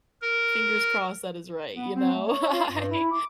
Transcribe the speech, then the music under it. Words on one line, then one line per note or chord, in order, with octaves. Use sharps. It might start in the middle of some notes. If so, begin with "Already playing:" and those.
fingers crossed that it's right, you know? I
A#4
B3
C4
A3
C#5
F4
G2
E4
D6